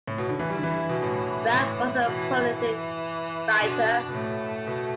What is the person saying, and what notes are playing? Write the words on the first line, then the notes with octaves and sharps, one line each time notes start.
Wragg was a prolific writer.
A2
B2
D3
E3
G3 E4
D3
E3
B2
A2 E3
A2
B2 E3
E3
B2 D4
B2
A2 A3
B2